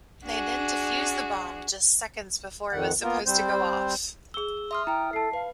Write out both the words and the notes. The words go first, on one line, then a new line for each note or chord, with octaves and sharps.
They then defuse the bomb just seconds before it was supposed to go off.
D4 F#4 G#4
F2 D#3 F#5
A#3 B3 F4 A#4
G3 C4 C5
G#4 E6 G7
E5 C6 D#6 F6
E4 E5 G5 A#5
A4 A5 C7
B4 F5